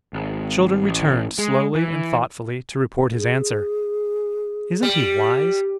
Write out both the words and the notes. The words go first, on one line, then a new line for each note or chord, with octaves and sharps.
The children returned, slowly and thoughtfully, to report his answer. "Isn't he wise?"
G#1
A1
G#3
E3
G#4
G3